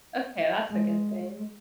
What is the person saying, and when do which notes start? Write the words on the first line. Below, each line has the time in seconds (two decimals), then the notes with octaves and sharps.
Okay, that's a good thing.
0.70 G#3